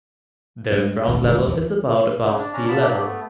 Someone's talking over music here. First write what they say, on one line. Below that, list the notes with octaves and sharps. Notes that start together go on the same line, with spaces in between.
The ground level is about above sea level.
G2 G#3
A1 D#2 G#2
D#1 G2 D3 G#3
E2
C#3
D4
C#4 D4 A#5
F3 B3 A5 B5
F#3 A#3 D4 G4 F#6
A3 B3